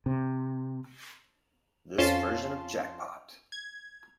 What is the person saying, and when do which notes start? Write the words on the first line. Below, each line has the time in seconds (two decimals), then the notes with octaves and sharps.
This version of Jackpot!
0.06 C3
1.98 F2 C#4 F4 A5 C6
3.52 G#6